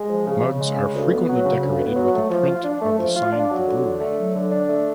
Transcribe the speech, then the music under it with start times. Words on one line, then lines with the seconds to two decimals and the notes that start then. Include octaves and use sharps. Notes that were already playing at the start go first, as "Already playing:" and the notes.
Mugs are frequently decorated with a print of the sign of the brewery.
Already playing: G#3
0.09 F3
0.26 C#3
0.42 C#3
0.60 G#3
0.77 C#3
0.95 D2
1.11 B3
1.29 F#3
1.45 C#3
1.62 D2
1.79 B3
1.96 F#3
2.14 A3
2.30 F3
2.48 F4
2.64 D4
2.82 A3
2.99 F3
3.16 F4
3.32 D4
3.50 F#3
3.67 D3
3.84 D4
4.00 A3
4.17 F#3
4.35 D3
4.52 D4
4.68 A3